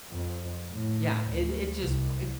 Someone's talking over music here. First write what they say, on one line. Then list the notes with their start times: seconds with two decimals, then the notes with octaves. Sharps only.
Yeah. It it's just it's
0.11 F2
0.71 A2
1.26 D2
1.81 C2